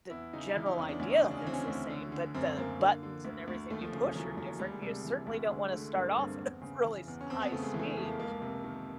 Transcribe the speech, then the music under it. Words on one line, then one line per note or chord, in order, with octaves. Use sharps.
the general idea of it's the same, but the buttons and everything you push are different, and you certainly don't wanna start off of really s high speed.
E2 E4
C#3 D#4
D#4
E3 E4
D#4
E2 C#4
D4
D2 C#4
D#4
D4
C#3
D4
C#4
E3 C4
C#4
D2
D3
D3
F#2 C4
F#2 A#3
D3
D3
D2
D2
D#2 A3
F3
C#3
F3
E3 F#3
D#2 F#3
D2 G3
G#3
C3 G3
E3
D2
D3 G#3
D3 A3
G2 A#3
G2 C4
E2
C#3
E3
E2
C#4
F2 C4
B3
C#3 A3
G#3
E3
A3
G#3
F2
A#3
C#2 A#3
C3
D#3